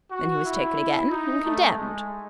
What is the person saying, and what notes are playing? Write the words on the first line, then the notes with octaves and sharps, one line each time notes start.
Then he was taken again, and condemned.
F#4
E4
D#4
A3
G#3